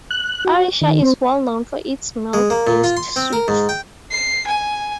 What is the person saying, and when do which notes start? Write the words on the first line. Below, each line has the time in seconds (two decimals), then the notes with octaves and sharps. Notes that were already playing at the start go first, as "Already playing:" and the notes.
Odisha is well known for its milk based sweets.
0.11 F#6
0.45 F#4
0.81 D#3
1.03 C4
2.34 G#3
2.50 A#3
2.67 A#2
2.84 F4
2.97 C6
3.16 C4
3.33 A#4
3.48 G#2
3.69 G5
4.12 C7
4.47 G#5